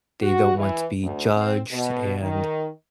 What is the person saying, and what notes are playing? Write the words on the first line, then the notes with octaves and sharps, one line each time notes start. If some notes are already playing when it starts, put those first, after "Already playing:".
they don't want to be judged, and
F#4
E3
D2
C4
B2
D#3